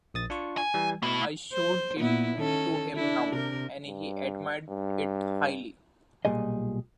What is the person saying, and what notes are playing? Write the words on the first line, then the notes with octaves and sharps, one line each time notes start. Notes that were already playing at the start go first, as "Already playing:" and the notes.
I showed it to him now, and he admired it highly.
A#1 D#6 A6
D4 F4 C#6
G#5
E3 G3
B2 A3 E4
C5
A#2 B3 E4
D#3 C#4 A4
D4 E4
C3 A#4
G2
G2
B1 A#2 G3 G#4 D#5